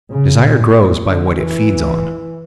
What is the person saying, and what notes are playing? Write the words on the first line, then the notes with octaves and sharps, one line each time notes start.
Desire grows by what it feeds on.
C#3
A#2
A#2
D3
E3